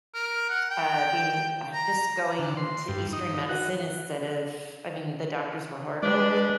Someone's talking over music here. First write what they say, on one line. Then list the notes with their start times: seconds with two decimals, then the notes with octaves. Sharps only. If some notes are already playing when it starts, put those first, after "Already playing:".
uh, being uh, just going to Eastern medicine instead of I mean, the doctors were horrible,
0.14 A#4
0.49 F#5
0.70 G5
1.74 A#5
2.39 D3
2.57 C6
2.88 G2
3.13 D#4
3.34 D#4
3.49 F#4
6.03 G#3 D4 B4 D5